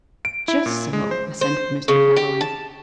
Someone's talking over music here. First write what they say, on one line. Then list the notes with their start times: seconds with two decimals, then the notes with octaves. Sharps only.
"Just so," assented Mr. Galloway.
0.25 D7
0.48 E4
0.66 A#2
0.93 G#3
1.11 C5
1.41 C5
1.88 C#3
2.17 G4
2.41 A5